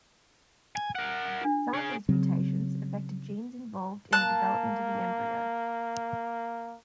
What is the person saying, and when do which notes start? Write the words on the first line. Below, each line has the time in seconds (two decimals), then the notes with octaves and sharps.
Some of these mutations affected genes involved in the development of the embryo.
0.76 G#5
0.95 A#4 F#5
1.41 D4 F4
1.74 G#4 C#5
2.09 C#3 F#3 C4
4.13 A#3 A5 F#6